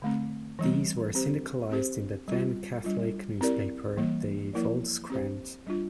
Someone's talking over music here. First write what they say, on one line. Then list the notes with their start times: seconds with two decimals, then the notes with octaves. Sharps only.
These were syndicalized in the then catholic newspaper de Volkskrant.
0.02 D3 A3 C4
0.59 E3 G3 C4
1.15 C4 G4 C5
1.71 C4 G4 C5
2.28 G3 C4 F4
2.84 G3 D4 F4
3.41 C4 E4 G4 A#4 D5
3.97 E3 G3 A#3
4.53 F3 A#3 E4 A#4 D5
5.10 C4 G4 C5
5.67 G3 D4 F4